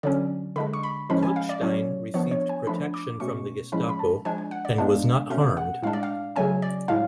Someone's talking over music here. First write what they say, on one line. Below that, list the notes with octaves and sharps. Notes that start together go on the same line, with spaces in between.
Kalkstein received protection from the Gestapo and was not harmed.
D3 F#3 C#4 D5
D3 G#3 D4 B5
C#6
B5
A2 F3 G#3 C#4 B5
G#5
F5
D5
A2 F#3 C#4 C#5
F3 B3 D4 C#5
C#5
G#5
F3 A3 D4 B5
D6
B2 A3 C#4 C#6
A2 F3 G#3 C#4 B5
B5
A5
F3 G#3 D4 G#5
G#5
F#5
D5
A2 G#3 B3 D4 F5
B2 A3 C#4 F5
F#5
A2 G#3 D4 F5
D5
F5
C#3 F#3 A3 C#4 G#5
D5
A2 G#3 D4 F5